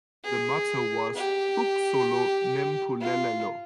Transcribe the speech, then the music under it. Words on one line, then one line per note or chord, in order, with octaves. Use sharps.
The motto was "uXolo neMpulelelo".
G#4
G4
F4